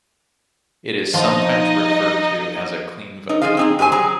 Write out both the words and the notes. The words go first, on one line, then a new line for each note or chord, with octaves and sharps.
It is sometimes referred to as a clean vote.
F3 D#4 F4 D#5
D#4
F3 D#4 G#4 C5 F5
C4 D#4 G#4
G2 G4 C5 G#5
F#3 G#4 A#5